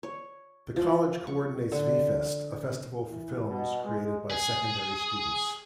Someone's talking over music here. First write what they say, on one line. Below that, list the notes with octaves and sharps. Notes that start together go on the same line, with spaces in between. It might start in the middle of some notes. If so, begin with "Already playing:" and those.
The college coordinates V-Fest, a festival for films created by secondary students.
C#5
F3
C#6
D3
E3
B2
G#3
G#4